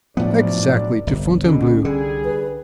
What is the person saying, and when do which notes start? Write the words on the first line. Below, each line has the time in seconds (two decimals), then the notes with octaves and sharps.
"Exactly; to Fontainebleau."
0.17 B1 A2 F3 B3 D4 D5
1.07 G1 C2
1.44 B2 D3 C#4
1.85 D3 G3 G#4
2.25 B4